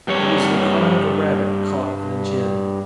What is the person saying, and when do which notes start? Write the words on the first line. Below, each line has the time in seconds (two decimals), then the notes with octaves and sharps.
It was the cry of a rabbit caught in a gin.
0.08 G2 C#5